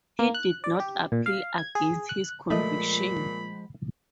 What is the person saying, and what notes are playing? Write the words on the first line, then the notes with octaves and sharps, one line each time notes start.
He did not appeal against his conviction.
A#3
F#6
D5
G4
A#2
F5
G#6
G#4
F#6
A#2 F3 G#3 A3 D#5 B5